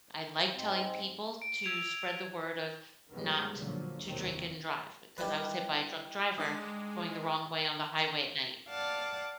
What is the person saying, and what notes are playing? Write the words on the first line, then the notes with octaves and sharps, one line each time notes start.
I like telling people to spread the word of not to drink and drive 'cause I was hit by a drunk driver going the wrong way on the highway at night.
G#2 G#3 C4
D7
E6 G#6 D#7 F7
D#3 F3 G3 G#3 B3 C#4
A#2 D3 F3 F#3
F1 D#2 D#3 F#3 C4
G3 E4 B4 D#5
G#3 D4 D#4 D5 D#6
D5 F5 F#5 A5